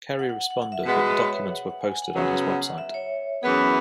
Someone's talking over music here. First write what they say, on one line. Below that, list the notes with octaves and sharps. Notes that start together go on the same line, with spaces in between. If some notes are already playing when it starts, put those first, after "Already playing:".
Kerry responded that the documents were posted on his website.
F#5
F#5
F#5
F#5
F#5
E5
B2 G#3 B3 B4
C#5
E5
F#5
F#5
F#5
G#5
G#5
F#5
C#3 F#3 B3 F#5
F#5
E5
C#5
F#2 E3 B3 G#4
E4